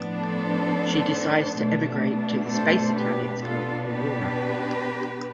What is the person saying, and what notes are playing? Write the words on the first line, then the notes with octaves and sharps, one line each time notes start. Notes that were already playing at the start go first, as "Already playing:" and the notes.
She decides to emigrate to the Spacer planet of Aurora.
Already playing: A2 F3 B3 D4
A4 C5
B2 A3 D4
A4 C5
G4 B4
B2 B3 D4 F4 A4
G4 B4